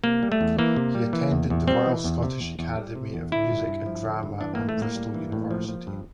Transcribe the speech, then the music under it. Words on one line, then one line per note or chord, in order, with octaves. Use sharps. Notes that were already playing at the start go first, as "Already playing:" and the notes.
He attended the Royal Scottish Academy of Music and Drama and Bristol University.
C3 A#3
G3
A3
E2
E3 A#3
C3
G3
E3
E2
E2
G3 C4
E3
E2
C3
E2
E2
G3
C3
E2
D3 E4
G2
G2
F3
D3
G2
E3 D4
A2 A#3
A3
A2 A#3
G3
E3
A2
F3
F3
G2